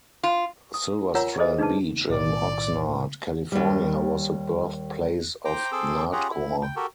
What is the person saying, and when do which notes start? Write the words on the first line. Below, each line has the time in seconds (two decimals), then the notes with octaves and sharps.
Silverstrand Beach in Oxnard, California was the birthplace of Nardcore.
0.23 F4
0.74 D#6
1.15 F4 A#4 C#5 F#5 G#5 A#5
1.38 G#4 A4 C5 D#5
1.58 D4 D#4 G#4 B4 A5
2.10 B1 A2 D#3 D5
3.52 D#2 G3
5.45 C5 G5 A#5 D6
5.72 C4 G#4 A4 D6 E6
6.13 C#4 F4 G4 G#4 F#5 A#5
6.30 E4
6.62 G5
6.76 F#4 G4 A4 A#4